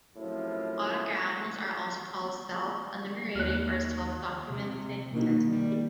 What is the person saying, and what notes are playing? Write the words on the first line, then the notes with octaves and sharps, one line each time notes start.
Autograms are also called 'self-enumerating' or 'self-documenting' sentences.
F#2 A2 C3 F3
D#2 F6 F#6
C3
B2 D#3 A#3
G3